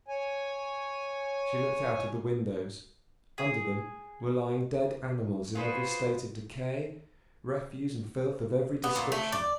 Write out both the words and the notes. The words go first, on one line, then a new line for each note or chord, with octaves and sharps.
She looked out of the windows; under them were lying dead animals in every state of decay, refuse and filth of every description.
C#5 G#5
G#4
F4 F#4 G#4 B4 C5
B3
A#2
A3
D5